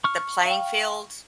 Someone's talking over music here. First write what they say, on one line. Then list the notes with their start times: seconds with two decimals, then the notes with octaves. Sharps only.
the playing field,
0.04 C#6 F6
0.46 F5 G5